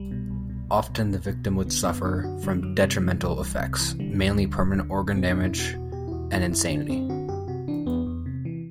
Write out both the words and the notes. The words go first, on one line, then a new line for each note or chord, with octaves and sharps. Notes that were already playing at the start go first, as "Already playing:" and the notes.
Often the victim would suffer from detrimental effects, mainly permanent organ damage and insanity.
Already playing: C2 G3
B2
C2
B2
C2
B2
C2
B2
C2
D3 B3
F#2 B3
D3 D4
F#2 F#4
D3 G3
F#2 F#3
F#3
C3 G3
E3
C2
C2
C3
E3
D3 G3
D2
D3
D2
D3
D2
B2 C4
E2 D4
E4
B2
F#4
E2 F#4
B2 G4
E4
E2 F#4
D3 E4
F#2 E4
D3 D4
F#2 C4
D3 F#4
F#2 G4
C3 F#4
E3 D4
E2 B3
E2
C3
E3